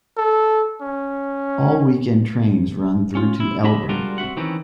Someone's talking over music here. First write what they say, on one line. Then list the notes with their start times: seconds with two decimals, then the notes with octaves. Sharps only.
All weekend trains run through to Elburn.
0.17 A4
0.81 C#4
3.15 C#4 F4
3.40 E4
3.64 D4 G4 D#5 E5 B5
3.89 G3 G#3 D4 F4 F#4 A#4
4.18 C4 F#4 E5 F#5
4.37 D#3 E3 C4 C#4